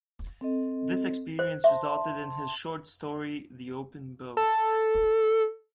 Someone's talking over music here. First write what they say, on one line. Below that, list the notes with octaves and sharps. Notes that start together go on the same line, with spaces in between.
This experience resulted in his short story "The Open Boat".
C4 A4 D#5
C5
E5 A5 C6
A4